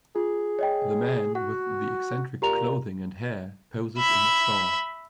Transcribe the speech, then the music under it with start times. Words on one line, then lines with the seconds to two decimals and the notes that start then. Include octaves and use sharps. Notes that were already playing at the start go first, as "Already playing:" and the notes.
The man with the eccentric clothing and hair poses in a store.
0.16 F4 G#4
0.59 C#5 D#5 G5
1.35 F#4 F#5
2.42 A#2 G4 A#5 F7
3.98 E5 B5